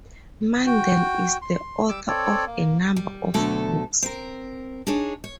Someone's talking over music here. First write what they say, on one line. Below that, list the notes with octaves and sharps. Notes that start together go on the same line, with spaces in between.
Mandel is the author of a number of books.
F#4 G5
C6
G3 D6 E6
C4 A4 C#5 D5
A#3
G3
D2 B2 D3 F#3 A3 A4
C4 A#4
D4 D#4 G#4 C#5
C#5